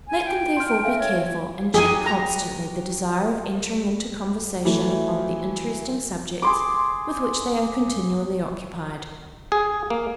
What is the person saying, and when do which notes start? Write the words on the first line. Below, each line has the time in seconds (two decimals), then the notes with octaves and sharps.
Let them therefore be careful, and check constantly the desire of entering into conversation upon the interesting subjects with which they are continually occupied.
0.08 G#5
0.25 G5
0.57 C6 F6
0.83 E5 F5 G#5
0.99 C#5
1.74 F#3 G4 G#4 G#5
2.06 A#5
4.65 E3 F#3 A3
6.42 G#4 C6 D6
9.52 G#4
9.90 A#3